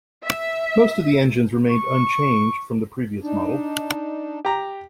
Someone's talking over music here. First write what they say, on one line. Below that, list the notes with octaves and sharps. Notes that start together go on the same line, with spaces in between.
Most of the engines remained unchanged from the previous model.
E5
C#6
D4 D#4
G4 A#5